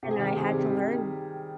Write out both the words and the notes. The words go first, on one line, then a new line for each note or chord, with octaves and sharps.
and I had to learn
C3 G4
G#4
D#3 G4
C3 G#4
G3
D#3